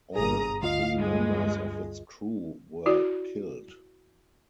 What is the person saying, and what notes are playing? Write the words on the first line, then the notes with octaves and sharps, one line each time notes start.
All three members of its crew were killed.
G1 G#4 A#5 D#6
D2 F4 D#5 F5
G2 G#3
E4 F#4 D5